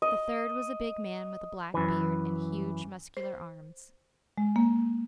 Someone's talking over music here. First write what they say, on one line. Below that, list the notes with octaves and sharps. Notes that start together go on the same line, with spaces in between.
The third was a big man with a black beard and huge, muscular arms.
D#5
F#2 E3
C5
G#3
A#3